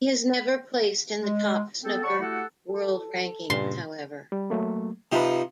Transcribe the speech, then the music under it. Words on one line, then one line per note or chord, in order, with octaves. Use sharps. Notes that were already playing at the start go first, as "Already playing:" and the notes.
He has never placed in the top snooker world rankings, however.
G#3
B3 C4 A4
C#5 D5 F#5 A5 B5 C#6
A3 E4 F#4 G4 A4 F#5
A4
G2 A#2 C#3 C6
G3
F#3 A3 A#3
C3 F3 D#4 G4 B4